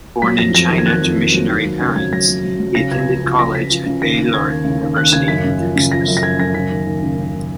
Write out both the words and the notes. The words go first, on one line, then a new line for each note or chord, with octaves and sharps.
Born in China to missionary parents, he attended college at Baylor University in Texas.
F#3 B6
F2 A#6
F2 A#6
D#3
G#6
D#3 F#6
F2
D#3
F#3
D#2
F#3
C#3 G#6
F#3 G#6
F#3 A#6
F#3
F#3
F#3
C#3 A#6
C#2 G#6
F3
C#2
F3 A#6
C#2 B6
F3
C#3
D#2 A#6
D#2
D#2 G#6
D#2
C#3
D#2
D#2 F#6
C#3 G#6
F#2 B6
C#3
F3
C#3
F3 A#6
F#2
A#6
F3 G#6
F#2 A#6
C#3 B6
D#2
D#2
C#3
C#3
C#3